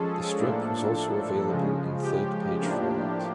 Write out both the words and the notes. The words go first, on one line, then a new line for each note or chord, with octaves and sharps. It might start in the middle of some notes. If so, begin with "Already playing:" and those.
The strip was also available in third page format.
Already playing: F3 G#3 C#4 G#4 A4
A2 F3 A#3 D4
C#3 F3 G#3
G4
A2 F3 A#3 D4